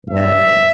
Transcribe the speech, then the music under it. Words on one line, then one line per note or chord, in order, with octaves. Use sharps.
Yeah, yeah.
E5